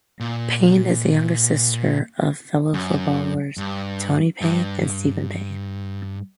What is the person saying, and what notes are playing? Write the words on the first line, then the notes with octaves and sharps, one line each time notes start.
Payne is the younger sister of fellow footballers Toni Payne and Stephen Payne.
A#2
F#2
G2
G2